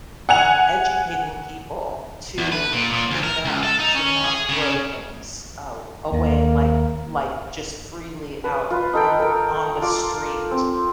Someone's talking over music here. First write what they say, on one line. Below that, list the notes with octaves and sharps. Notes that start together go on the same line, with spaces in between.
um, educating people to clean up, to not throw things, a away, like like just freely out in the on the street,
F#5 G#5 F7
E2
B4
A#2
A#2
D2
A#4
C#2
A4
D#4
C#4
G#4
C#3
D#2 A#3
B4
F4 B4
D#4 A4 G5
A4 A#4
F4 D6
C4